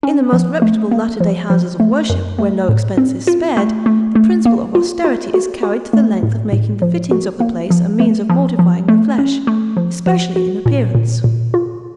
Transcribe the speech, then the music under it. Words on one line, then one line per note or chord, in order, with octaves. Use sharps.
In the most reputable latter-day houses of worship, where no expense is spared, the principle of austerity is carried to the length of making the fittings of the place a means of mortifying the flesh, especially in appearance.
C#4
F3
A3
A#3
F3
F3
A3
F#2
A3
A2
C4
F4
A3
A3
A3
A#3
F4
F4
F#4
F#4
A3
A2
A2
F3
F#4
A#3
F3
A3
F3
F3
A3
C#4
A3
F3
F3
F#4
A#2
A#2
A#2
F4